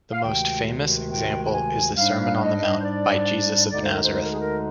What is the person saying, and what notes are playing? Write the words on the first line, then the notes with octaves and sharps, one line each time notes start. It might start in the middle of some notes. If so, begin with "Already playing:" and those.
The most famous example is the Sermon on the Mount by Jesus of Nazareth.
F5
D2 C3 D#3 G#3 G5
G5
G5
G#5
G#2 G3 D4 F5
F5
D#5
C5
D5
D2 D3 G#3 D#4 D5
C5
A#4
C5
C5
A#4
G#4
A#4